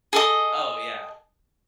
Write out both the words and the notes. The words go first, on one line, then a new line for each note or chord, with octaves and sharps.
Oh, yeah.
G#4 A4 D#5